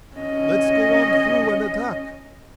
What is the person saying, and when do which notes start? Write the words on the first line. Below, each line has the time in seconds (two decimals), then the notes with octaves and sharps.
"Let's go on through and attack!"
0.17 C#4 D#5